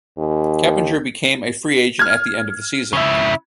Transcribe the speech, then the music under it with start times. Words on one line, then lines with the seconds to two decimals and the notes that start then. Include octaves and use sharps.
Keppinger became a free-agent at the end of the season.
0.18 D#2
1.99 F6 G#6
2.93 C#3 E4